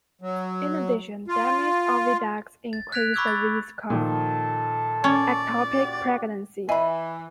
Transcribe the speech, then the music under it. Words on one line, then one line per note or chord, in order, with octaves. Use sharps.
In addition, damaged oviducts increase the risk of ectopic pregnancy.
F#3
F4
A6
F#6 G#6 B6 D7 F7
B5 C#6 D6 E6 G6 G#6
A6
A#2 D#3 F3 A4
C#4 D5
F#4 G4
E3 D#5 E5 G#5 B5